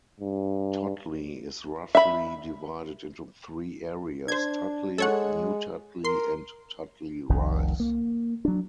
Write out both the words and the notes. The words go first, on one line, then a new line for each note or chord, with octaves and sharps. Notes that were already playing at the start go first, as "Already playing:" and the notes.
Totley is roughly divided into three areas: Totley, New Totley and Totley Rise.
G2
E5 B5
D4 C5 G#6
G#3 A4 C#5 F#5
A#4 C6
F1 C2 D#3
A#3
F#3 D4